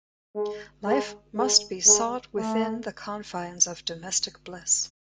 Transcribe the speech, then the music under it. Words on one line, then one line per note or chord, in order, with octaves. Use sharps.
Life must must be sought within the confines of domestic bliss.
G#3
G#3
G#3
G#3
A3